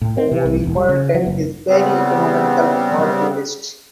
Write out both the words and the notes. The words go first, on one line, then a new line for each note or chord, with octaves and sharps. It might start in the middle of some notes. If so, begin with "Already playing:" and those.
Corriverton is very economical for tourists.
A2
C4
C3
C2
E1
G3
C#3
F#3
F#1
C#3 G3 B3 C4